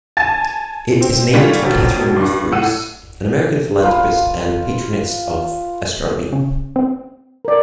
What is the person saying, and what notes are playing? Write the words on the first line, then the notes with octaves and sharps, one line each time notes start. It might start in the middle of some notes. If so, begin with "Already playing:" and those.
It is named for Catherine Wolfe Bruce, an American philanthropist and patroness of astronomy.
G#5 A5 A6
C4
D3 D#3 G3 C#4 F4 B6
A#1 F2 B2 F#3
G2
F1 A2 F#5 E6 D#7
F4 B4
C#3
C4
A#4 D5